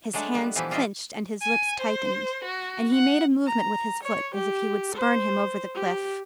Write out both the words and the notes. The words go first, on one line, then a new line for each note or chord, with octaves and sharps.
His hands clinched and his lips tightened, and he made a movement with his foot as if he would spurn him over the cliff.
F#3 G#3 A3 D4
G3 B3
A#2 E3 F3 B3 E4 G4
G3 F4 A#4 D#5 E5
G#5
C5
F#4
F#5
A#5
C#5
G4
C5
G4